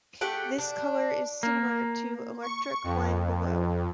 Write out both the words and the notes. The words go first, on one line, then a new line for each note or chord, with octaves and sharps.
This color is similar to Electric Lime below.
A3 G4 F#5 G5
D4
A#3
C#6
F2